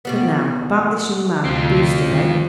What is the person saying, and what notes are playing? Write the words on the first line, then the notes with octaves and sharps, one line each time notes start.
But now about this young man--Brewster--eh?
B2 G3 B3
D2 C3 C4 F4
D3 D#3 G3